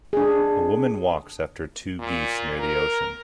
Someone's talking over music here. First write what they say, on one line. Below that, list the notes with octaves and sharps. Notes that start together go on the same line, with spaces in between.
A woman walks after two geese near the ocean.
D4 G#4
A#2
A#4